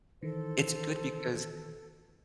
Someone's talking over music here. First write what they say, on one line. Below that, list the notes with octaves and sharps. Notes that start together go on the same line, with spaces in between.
it's good because
D#3 E3 A4 C5